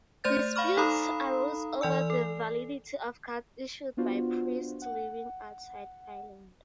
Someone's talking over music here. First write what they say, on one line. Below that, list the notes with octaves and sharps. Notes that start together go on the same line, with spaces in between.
Disputes arose over the validity of cards issued by priests living outside Ireland.
A3 C5 D5 G6 A6
F5 B5 C#6 F6
D#4 A4 F5 A#5 B5 D#6
E3 D5 G#5 E6
A4
B3 D4 F4 F#4 C5
F#5